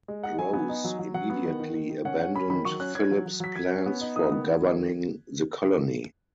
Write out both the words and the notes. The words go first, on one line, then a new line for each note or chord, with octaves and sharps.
Grose immediately abandoned Phillip's plans for governing the colony.
G#3
D#4 F#5
F#3 G#5
B3 G#5
D#4
F#3
F#3
F#3 F#5
B3
D#3
D#3
D#3
D#3
C#4 F#5
C#4 F#5
C#4 B5
D#3 B5
F#3 C#6
C#4 F#6
C#4 G#6
F#3
F#3
F#3 B6
F#3 G#6
C#4
B3
D#4
D#3 D#6
B3
B3
D#3